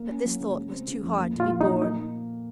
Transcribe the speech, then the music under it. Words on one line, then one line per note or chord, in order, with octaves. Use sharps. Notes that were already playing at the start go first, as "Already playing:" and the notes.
But this thought was too hard to be borne.
Already playing: A#3
C#4
F#3
C#3
G#3
C4
C#3
F2
A#3
A#2 F4
F3
D#4
A#2
A#3 D#4